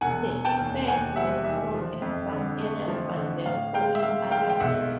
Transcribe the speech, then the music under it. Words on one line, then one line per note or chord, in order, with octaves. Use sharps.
The effects were strong in some areas but less so in others.
E1 F#5 G#5
E1
G5 A5
D#2
D#2 F#5 G#5
G3 E5 F#5
D#3 E5
F3
F2
D3
A3
F3
D3
A2 F5
G#3 F5 G5
E5
G#3 F5
G#3 F5 G5
G5
B1 E5 F#5